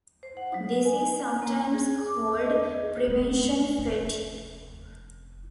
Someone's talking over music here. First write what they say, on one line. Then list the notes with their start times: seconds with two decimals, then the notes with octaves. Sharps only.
This is sometimes called "prevention fatigue".
0.23 C5
0.37 F#5
0.54 F#3
0.85 G#5
1.42 A#3
1.74 G#4
2.07 D6
2.39 D#5
2.62 G#4
3.07 G#3 A3
3.78 F1